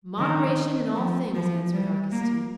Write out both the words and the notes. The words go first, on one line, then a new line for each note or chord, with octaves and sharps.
"Moderation in all things," answered Augustine.
D#3
F3
F3
G3
A#3